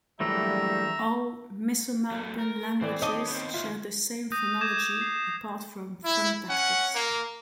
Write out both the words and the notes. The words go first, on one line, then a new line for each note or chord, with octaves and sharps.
All Misumalpan languages share the same phonology, apart from phonotactics.
A#1 E3 F#3 G3 A3 E5 A#5
F#3 A3
A#4
A2 E3 C4 D5
D#2 C#5 D#5 A5 D6
B3 C4
D3 D#4 F4 E5
D#6 G6 A#6 D#7
D6 G6 G#6 A#6 D#7 E7
C7
E4
C#4 F#5
A#3